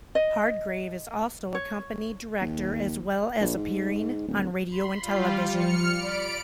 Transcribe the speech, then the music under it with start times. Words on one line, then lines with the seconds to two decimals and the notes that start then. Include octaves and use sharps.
Hardgrave is also a company director as well as appearing on radio and television.
0.15 D#5
1.55 C#5
2.41 D#2
3.41 A#1
3.56 G#2
4.28 D1
4.68 B5 C6
5.01 G3 F4
5.49 F3 F6 C#7
5.93 D5 B5 D7